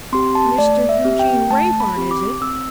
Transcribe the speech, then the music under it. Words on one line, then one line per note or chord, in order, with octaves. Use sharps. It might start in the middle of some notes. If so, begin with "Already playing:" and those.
'Mr Eugene Wrayburn, is it?
C4 G4 C6
A5
A3 D5
E5
C4 G4
G5
A3 A5
B5
C4 G4
D6
C4 E6